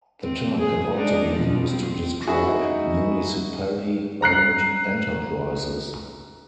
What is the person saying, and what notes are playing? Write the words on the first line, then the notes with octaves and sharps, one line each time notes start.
The term can also be used to describe municipally-owned enterprises.
C4
G#4
G#3 D4 D#4
B2 F3
C4
D#4 E4 F#4 G#4
A#5 F#6 C7